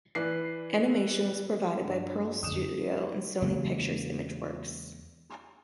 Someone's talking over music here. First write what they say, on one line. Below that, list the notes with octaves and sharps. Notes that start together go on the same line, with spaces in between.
Animation was provided by Pearl Studio and Sony Pictures Imageworks.
E3 B4 D5 C7
G2 F#3
F2 D3 D#6 E7
E2 C#3 G#3 A#3